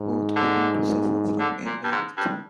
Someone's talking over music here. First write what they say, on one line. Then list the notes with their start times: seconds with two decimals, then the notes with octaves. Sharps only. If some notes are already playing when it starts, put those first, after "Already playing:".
Both begin to suffer from ill health.
Already playing: G#2
0.36 D3
1.40 D3
1.66 A#2
1.84 G2
1.92 G#2
2.17 G2